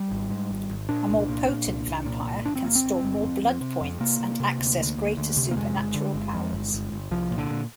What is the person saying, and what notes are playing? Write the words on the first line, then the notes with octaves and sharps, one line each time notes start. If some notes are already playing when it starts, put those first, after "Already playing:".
A more Potent vampire can store more blood points and access greater supernatural powers.
Already playing: G3
G#1
G#2
G#1
G#1
A#2 D4
C2
A#2
A#2
C2
C2
A#2
C2
G1 D4
C4
G1 A#3
C4
G1
G1
F2
F2
C3
F2
C3 A#3
C3
C3
D2
D2
D2
D2
C3
A#3
F2 G#3
G1
D3
G1
F2
G1
G1
G1
C2 F3
A#2
D3
A#2